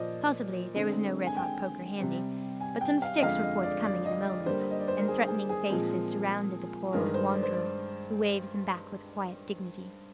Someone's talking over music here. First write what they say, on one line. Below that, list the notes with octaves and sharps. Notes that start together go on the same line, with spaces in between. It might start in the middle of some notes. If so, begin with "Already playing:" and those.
Possibly there was no red-hot poker handy: but some sticks were forthcoming in a moment, and threatening faces surrounded the poor old wanderer, who waved them back with quiet dignity.
Already playing: A#2 F3 A#3 C5 D5 D#5
D3 G#3 C4
G#5
G5
C3 G3 C4
G#5
G5
F5
D#5
F2 D3 G#3 F5
D#5
D5
D5
D#5
D5
D3 G3 A#3 C5
D#5
D5
C5
A#4
G#4
G#4
G#4
A#2 F3 G#3 C4
G2 D#3 G#3 A#4
C5
D5
C5
D5